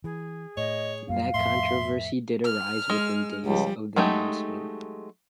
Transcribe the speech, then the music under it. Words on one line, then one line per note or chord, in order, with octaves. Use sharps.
That controversy did arise within days of the announcement.
E3 G#4
A2 C#5 D#5
F#2 G3 F5
F2 A2 E5 C6
F6
G#3
C#2 F3 G3
F#3 G#3 A3 D#4 G4